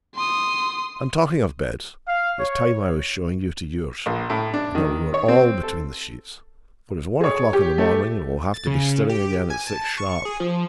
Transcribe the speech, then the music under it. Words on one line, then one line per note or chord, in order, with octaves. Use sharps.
And talking of beds, it's time I was showing you to yours, and that we were all between the sheets, for it's one o'clock in the morning, and we'll have to be stirring again at six sharp.
C6 D#6
F5
C#5
A#1
A2
D4
D#3
C#5
C4
A4
G#4 C#5
G4
A3
A6
C#3
G4
G#5
A5
C#6
G#4
F3